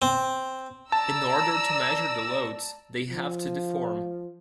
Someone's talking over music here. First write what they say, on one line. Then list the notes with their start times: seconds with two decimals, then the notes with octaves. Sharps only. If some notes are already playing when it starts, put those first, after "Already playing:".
In order to measure the loads, they have to deform.
0.02 C4
0.92 D5 A5 A#5 E6
3.11 F3